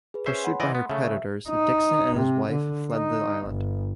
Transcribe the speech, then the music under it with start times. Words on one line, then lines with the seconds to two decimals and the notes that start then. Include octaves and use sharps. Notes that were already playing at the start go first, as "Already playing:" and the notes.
Pursued by her creditors, Dixon and his wife fled the island.
0.14 G#4 B4
0.26 C#4 C5 C#5 E5 G#5 C6
0.44 F#5 B5 C6
0.60 E3 D5 D#5
0.75 B3
0.90 C#3 A3 E5
1.49 D#4
2.16 C3
2.48 D3
2.92 D#4
3.47 G1